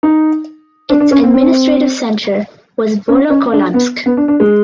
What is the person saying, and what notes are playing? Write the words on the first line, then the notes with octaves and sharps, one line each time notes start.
Its administrative centre was Volokolamsk.
D#4
D4
D4
C#4
C4
C4
C#4
C#4
D4
B3
B3
D4
D4
G#3